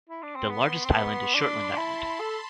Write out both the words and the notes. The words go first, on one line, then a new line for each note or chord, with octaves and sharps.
The largest island is Shortland Island.
E4
D4
C4
B3 C6
C4
B3
D4 B5
A5
D4
E4
A5
A4